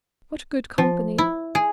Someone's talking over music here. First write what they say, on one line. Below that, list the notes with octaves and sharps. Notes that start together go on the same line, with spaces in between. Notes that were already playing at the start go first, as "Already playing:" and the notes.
What good company!
F3
E4
G#4